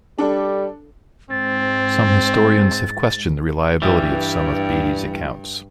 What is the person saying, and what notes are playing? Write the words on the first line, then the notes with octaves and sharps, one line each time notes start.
Some historians have questioned the reliability of some of Bede's accounts.
G3 D4 A4
G#2 C4 A6
G2 E3 G3